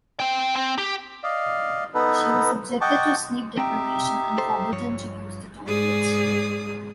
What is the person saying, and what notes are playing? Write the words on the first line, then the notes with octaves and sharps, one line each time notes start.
She was subjected to sleep deprivation and forbidden to use the toilet.
C4 G5
C4
G4
D5 D#5 F5
B3 D#4 A4 B4
D#5 F#5 G5 A5 C#6 D6
C4 D#4 G4 E5 G5
A4 C5
G2 F3 C#5
G#2 G#4 D5 D#6